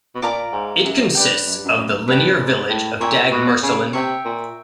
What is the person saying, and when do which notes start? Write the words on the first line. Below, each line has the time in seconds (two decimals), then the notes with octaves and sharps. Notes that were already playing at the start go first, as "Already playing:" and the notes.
It consists of the linear village of Dagmersellen.
0.15 B2
0.22 A#2 D5 F5 A#5 D6
0.53 G#2
0.84 F#2
1.15 G2 B4 D5 G5
1.45 F#2
1.56 G2
1.64 F#2
1.77 F#2
2.08 G2 B4 D5 G5
2.39 G#2
2.69 A2
3.01 A#2 C#5 E5 G5
3.32 B2
3.63 C#3
3.93 C3 C#5 E5 G5
4.25 A#2